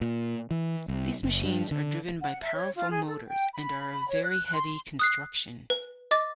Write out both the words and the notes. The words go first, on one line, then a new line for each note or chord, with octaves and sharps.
These machines are driven by powerful motors and are of very heavy construction.
A#2
E3
C2
F#1
G2
D3
F#5
E5
C#5
F4
G#4
A4
G5
B5
C#5
F#6
C6
D#6 F#6 C7
B4
D#5 D6 A6